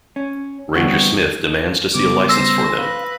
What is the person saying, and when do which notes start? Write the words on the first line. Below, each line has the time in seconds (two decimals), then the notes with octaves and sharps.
Ranger Smith demands to see a license for them.
0.16 C#4
0.75 G2 D3 E3 B3 C4 F#4
1.95 C#3 G3 B3 D6
2.29 C5 E6 A#6
2.78 B4 F5